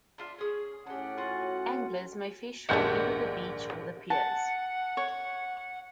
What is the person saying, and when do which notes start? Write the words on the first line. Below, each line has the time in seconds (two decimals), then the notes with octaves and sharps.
Anglers may fish from either the beach or the piers.
0.18 D4 F4 E5
0.38 C#4 G#4
0.87 A2 C#4 D4 G4 F#5
1.18 F4 F#4
2.69 A#1 D#2 G#2 A3 C#4 F#4 G6 C#7
4.10 F#5 A5
4.97 C#5